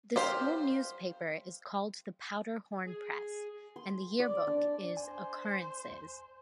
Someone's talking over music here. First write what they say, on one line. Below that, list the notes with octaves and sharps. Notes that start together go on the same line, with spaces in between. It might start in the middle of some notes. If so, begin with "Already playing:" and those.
The school newspaper is called the "Powder Horn Press" and the yearbook is "Occurrences".
G4 C5 F5
G#4
C6
D5
D4
C5 G#5